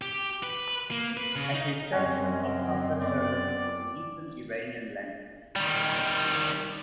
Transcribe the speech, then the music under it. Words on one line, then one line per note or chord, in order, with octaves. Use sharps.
Attestations of Saka show that it was an Eastern Iranian language.
G4
B4
A#3
B4
C#3
D#4
F#2 C4 C#4 D#5 F#5 G#5
B3 D5
D#3 G3